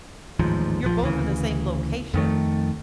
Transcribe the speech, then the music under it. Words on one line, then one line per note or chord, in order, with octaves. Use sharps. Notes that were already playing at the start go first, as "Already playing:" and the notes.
You're both in the same location.
A1 D#2 G#2 F3
A#1 F3
D2 C#3 E3
F2 D#3 A3